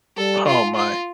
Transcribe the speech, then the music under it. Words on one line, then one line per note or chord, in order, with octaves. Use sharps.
Oh, my.
G3 A4
F4
F4